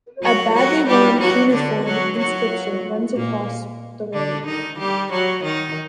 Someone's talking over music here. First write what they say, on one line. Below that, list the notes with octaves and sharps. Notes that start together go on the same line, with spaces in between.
A badly worn cuneiform inscription runs across the relief.
F#3 F#4
F#3 F#4
G3 G4
F#3 F#4
D3 D4
F#3 F#4
F#3 F#4
A#2 A#3
D3 D4
D#3 D#4
G3 G4
F#3 F#4
D#3 D#4